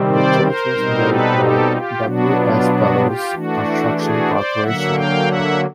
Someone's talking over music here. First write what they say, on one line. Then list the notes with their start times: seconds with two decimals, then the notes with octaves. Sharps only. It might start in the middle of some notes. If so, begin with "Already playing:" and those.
The church was built by W. S. Bellows Construction Corporation.
Already playing: C3 D#3 G3 C4
0.09 C5 D5
0.42 A#4 C5
0.74 B2 G3 C4 D#4
1.06 A4 B4
1.39 G4 A4
1.71 F4 G4
2.04 B2 F#3 B3 D4 F#4
2.36 F4
2.68 F#4
3.01 F4 G4
3.33 E3 A3 D4 F#4
3.98 F#4 G#4
4.30 C5 D5
4.62 D3 F#3 A#3 E5 F#5
4.95 F5 G5
5.27 E5 F#5